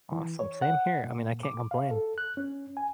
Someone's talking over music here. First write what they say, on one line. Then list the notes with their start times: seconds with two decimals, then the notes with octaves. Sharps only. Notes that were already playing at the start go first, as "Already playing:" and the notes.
Awesome. Same here. I mean, I can't complain.
0.12 E3
0.39 C#5
0.62 F#5
1.04 A#2
1.43 D6
1.71 F5
1.91 A4
2.18 F#6
2.37 C#4
2.77 G#5